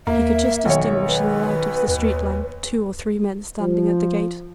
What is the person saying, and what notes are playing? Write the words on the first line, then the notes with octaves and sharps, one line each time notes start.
He could just distinguish in the light of the street lamp two or three men standing at the gate.
D#2 A#3 E5
B1 D#3 C#5
B4
D#2
F3